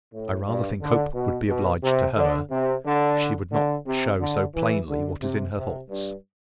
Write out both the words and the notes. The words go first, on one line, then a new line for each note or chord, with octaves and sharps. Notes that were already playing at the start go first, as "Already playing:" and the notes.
I rather think Hope would be obliged to her if she would not show so plainly what is in her thoughts.
A2
G2
D3
B2
B2
C3
D3
C3
D3
D3
C3
D3
E3
D3
C3
C3
G2